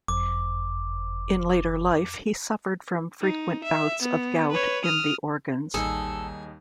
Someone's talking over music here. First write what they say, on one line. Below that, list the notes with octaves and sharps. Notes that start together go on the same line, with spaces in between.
In later life he suffered from frequent bouts of gout in the organs.
F#1 F2 D6
D#4
E5
B3
B4 C#5
D#6 F6
A1 D#2 G3 D#4 G#4 A4